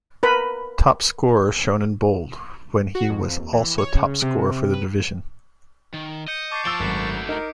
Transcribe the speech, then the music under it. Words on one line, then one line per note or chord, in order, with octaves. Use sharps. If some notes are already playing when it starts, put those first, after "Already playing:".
Top scorer shown in bold when he was also top scorer for the division.
A#4 B4 B5
F#4
F2
D#2
E3
C#5
C#3
C3
C3
B4
D#3
D#5 D#6 G6 C#7
A5 C#6 D6 G6 C7
F3 E6 A6 D7 G7
G#1 F#2 A3 F#4 G#6 B6 C7
D#4 A#4